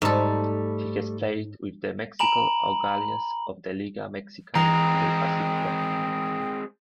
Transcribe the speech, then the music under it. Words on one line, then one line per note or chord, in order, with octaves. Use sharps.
He has played with the Mexicali Aguilas of the Liga Mexicana Del Pacifico.
G#2 G3 A3 A4
G#5 A#5 B5 F#7
E3 G#3 C4 G5 A#5